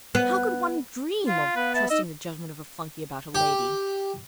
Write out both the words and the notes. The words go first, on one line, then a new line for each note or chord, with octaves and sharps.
How could one dream of trusting the judgment of a flunkey about a lady?
B3
F4 F5
B3 B4
E5 A5
D#4 D#5 E6
G4